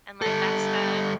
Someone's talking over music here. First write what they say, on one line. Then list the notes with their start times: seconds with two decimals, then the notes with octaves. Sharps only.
and, like, that stuff,
0.22 G3 A4